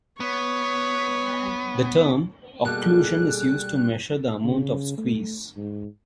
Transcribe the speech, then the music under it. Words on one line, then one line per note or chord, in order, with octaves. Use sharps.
The term "occlusion" is used to measure the amount of squeeze.
B3 C#5
B2 G3 A#3 F#4 G#4 A4 F#6
C#3
A3
G#2